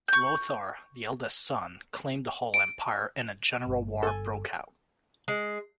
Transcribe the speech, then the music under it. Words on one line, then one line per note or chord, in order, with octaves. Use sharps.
Lothar, the eldest son, claimed the whole empire and a general war broke out.
C#6 G6
D7
G1
A4 G#5
G#3